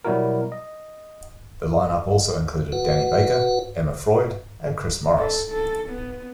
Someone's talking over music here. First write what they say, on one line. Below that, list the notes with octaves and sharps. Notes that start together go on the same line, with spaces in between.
The line up also included Danny Baker, Emma Freud and Chris Morris.
B2 F#3 G3 E4 F#4 A#4
D#5
F#4 B4 F#5
A4
A4
B3